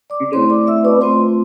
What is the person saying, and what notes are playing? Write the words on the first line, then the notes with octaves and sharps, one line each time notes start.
He does switch off.
D5 D6
A3 C4 E4 C5 C6
D5 D6
E5 E6
D5 D6
A3 C4 F4 C5 C6